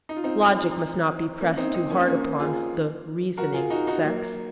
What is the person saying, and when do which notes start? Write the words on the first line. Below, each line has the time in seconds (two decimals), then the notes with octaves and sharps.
Logic must not be pressed too hard upon the "reasoning" sex.
0.09 D#4
0.16 F4
0.24 C4 D#4
1.41 A#3 C#4
1.57 C4 D#4
1.74 C4 D#4
1.90 A#3 C#4
2.07 A#3 C#4
2.39 F4 G#4
3.37 F#4 A#4
3.54 F4 G#4
3.70 D#4 F#4
3.87 D#4 F#4
4.03 F#3 A#3